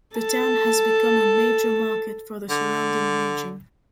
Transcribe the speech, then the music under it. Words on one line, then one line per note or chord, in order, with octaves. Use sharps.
The town has become a major market for the surrounding region.
A4 A5
D3